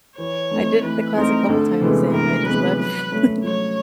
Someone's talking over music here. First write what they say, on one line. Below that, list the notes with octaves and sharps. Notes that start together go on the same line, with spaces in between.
I did the class a couple times, and I just left feeling
E3 C#5
A3 C4 D#4
E3 B4
A3 C4 D#4 A#4
D2 A4
C3 E3 G#3 B3
D2 A#4
C3 E3 G#3 B3 B4
F#3 B4
A3 C#4
F#3 C#5